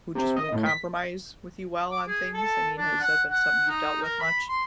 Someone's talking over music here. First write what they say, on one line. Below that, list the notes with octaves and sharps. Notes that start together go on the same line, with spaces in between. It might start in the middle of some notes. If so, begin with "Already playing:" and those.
who just won't compromise with you well on things? I mean, has that been something you've dealt with much?
C3
D#5
A2
B6
D6
G#4
A4
D4
F#5
F#5
D#4
A#4
B5
C6